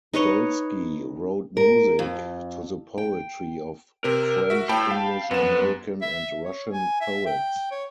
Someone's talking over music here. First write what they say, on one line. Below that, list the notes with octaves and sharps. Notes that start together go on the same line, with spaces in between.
Dolsky wrote music to the poetry of French, English, American, and Russian poets.
D#4 B4 C#5 D#5
A#4
F2
G5
C3 C4 A#4
F#4 E5
A2 G5 A5 B5
F5
F#2 B3 E7
E5
C#5
G#5
E5
G5
C#5